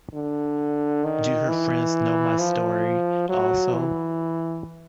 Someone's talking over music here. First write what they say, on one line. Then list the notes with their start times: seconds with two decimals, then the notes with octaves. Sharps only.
Do her friends know my story also?
0.14 D3
1.04 D#3
1.49 E3
2.39 F3
3.29 F#3
3.74 E3